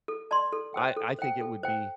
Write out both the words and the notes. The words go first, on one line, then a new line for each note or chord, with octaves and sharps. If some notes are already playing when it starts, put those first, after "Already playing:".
I I think it would be
A4
D5 A5 C6
A4
C5 G5
A4
C5 G5
A4
C5 G5